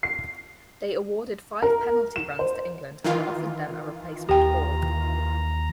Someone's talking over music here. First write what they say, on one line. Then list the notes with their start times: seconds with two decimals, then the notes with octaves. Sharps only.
They awarded five penalty runs to England and offered them a replacement ball.
0.03 C7
1.62 A#4
2.16 E7
2.39 C5
3.04 D#3 E3 F4
4.29 D#2 G4 G5 A#5